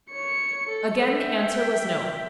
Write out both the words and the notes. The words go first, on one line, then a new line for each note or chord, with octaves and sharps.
Again the answer was "No."
C#5 C#7
A4
E5 G5